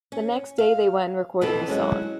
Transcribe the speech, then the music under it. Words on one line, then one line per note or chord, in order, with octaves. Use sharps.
The next day they went and recorded the song.
C#4
F5
B2 E3 B3 C4 A4
F#3 G#3 C#4